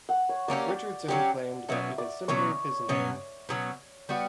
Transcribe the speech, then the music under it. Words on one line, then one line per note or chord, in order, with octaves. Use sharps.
Richardson claimed that it is simply his name.
F#5
C#5
F#3 A#3 C#4 G4 D5
F#3 A#3 C#4 G4
B2 F#3 C#4 E5
D5
B2 F#3 C#4 C#5
B2 F#3 C#4
B2 F#3 C#4
G3 B3 F#4